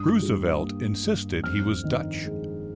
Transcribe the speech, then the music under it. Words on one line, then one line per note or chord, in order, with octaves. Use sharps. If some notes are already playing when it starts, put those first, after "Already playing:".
Roosevelt insisted he was Dutch.
Already playing: G2 D#6
G3
A#3
G2
F2 F6
D#3
G#3